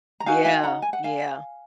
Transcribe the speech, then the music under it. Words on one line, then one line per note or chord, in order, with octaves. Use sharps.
Yeah. Yeah.
A#5
D#4 F#4 A#4 F5 G#5
F5 G#5
F#5 A#5
G#5
F#5
F5 G#5